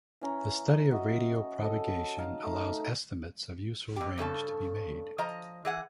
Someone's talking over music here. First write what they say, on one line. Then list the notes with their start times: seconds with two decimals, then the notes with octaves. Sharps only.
The study of radio propagation allows estimates of useful range to be made.
0.21 E3 C#4 A#5
0.91 F#4 D#5 E5
1.61 A4 D#5
2.18 D#4 F5 A5
2.43 A3 D#4
3.96 F2 G4
4.18 G2 C#3 A4 A5
5.18 F3 D#5 A#5
5.65 E3 G#4 F#5